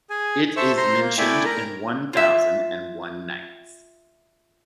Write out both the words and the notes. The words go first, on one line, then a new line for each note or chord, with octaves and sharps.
It is mentioned in "One Thousand and One Nights".
G#4 G#5
A4 C5 E5 C#6 E6
C5 A#5 C6
A#3
A3 E4 D5 G5 G#5 B5
A#4 A#5
F4 E5